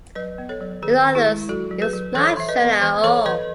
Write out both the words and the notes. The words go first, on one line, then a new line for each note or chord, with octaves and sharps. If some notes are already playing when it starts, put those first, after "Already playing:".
In others, it was not shown at all.
F#3 B4 D#5
B3
A4 C#5
F#3
D#3 G#4 B4
D#3
E4 G#4
G#3
F#3 F#4 A4
F#3
G#4 B4
F#3
E3 A4 C#5
E3 E5
B4 D#5
B3
E3
E3 A4 C#5
E3 B4 D#5